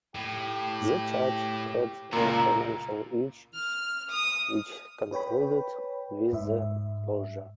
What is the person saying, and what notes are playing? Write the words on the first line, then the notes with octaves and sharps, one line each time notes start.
The church had financial issues which concluded with the closure.
A2 G4
C#2 A#2 A#3 E4 A#5
F6
D#6
B4 C#5 G5 B5
G#2 E5